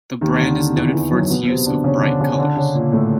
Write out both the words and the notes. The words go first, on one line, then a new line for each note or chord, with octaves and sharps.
The brand is noted for its use of bright colours.
D#2 D#3
D3
D3
E2 E3
E2 E3
F#2 F#3
B2 B3
C3 C4
D3 D4
C#3 C#4
D3 D4
C#3 C#4
C#4
D3 D4
C#3 C#4
A#2 A#3
A2 A3